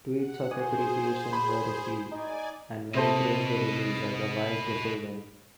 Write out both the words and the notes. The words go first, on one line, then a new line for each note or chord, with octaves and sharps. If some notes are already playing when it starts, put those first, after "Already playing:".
Tweets of appreciation were received and many praised the release as a wise decision.
F#5
F#4 G#4 C5 G#5 D#6
B5
D#4 D5 G#5
C3 A4 B4 C5 D#5 E5